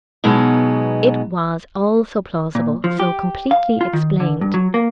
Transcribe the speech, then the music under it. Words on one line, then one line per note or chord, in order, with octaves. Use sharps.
It was all so plausible--so completely explained.
B2 F#3 G#3 B3 D#4
A#2
F3
G4
F5
F4
D#3
D3
G2
F#3
A#3